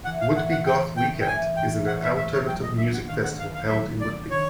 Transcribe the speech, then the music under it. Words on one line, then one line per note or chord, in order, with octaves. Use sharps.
Whitby Goth Weekend is an alternative music festival held in Whitby.
E3 F#5
F5
A2 F#5
F#5
A2 G5
A3 G5
G5
E3 G#5
A2 G5
A2 F#5
E5
A3 E5
C#5
F#3 G5
D#5
D4 E5
F#5
D#3 F5
F#5
A#3 F5
F5
F#3 E5
D4 D5
D#3 C#5